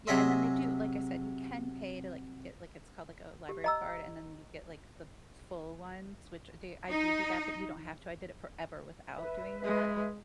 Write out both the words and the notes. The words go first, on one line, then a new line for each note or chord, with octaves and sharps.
Yeah, and then they do, like I said, you can pay to, like to get, like it's called, like, a library card and then you get, like, the full ones, which th I do do that, but you don't have to, I did it forever without doing that.
C3 F#3 G#4 D#5 E5 C6
G4
D#5 A#5 E6
D#4
B4 E5
G#3